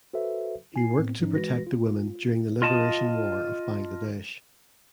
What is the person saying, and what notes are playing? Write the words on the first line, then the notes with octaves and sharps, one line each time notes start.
He worked to protect the women during the Liberation War of Bangladesh.
F#4 A4 B4 C5 E5
E4 G#5 C7
A2 B3 C4
G#2 F3 C#4 D#4
E3 G#3 F#4 B4 A#6
F4
F4 D#5 A5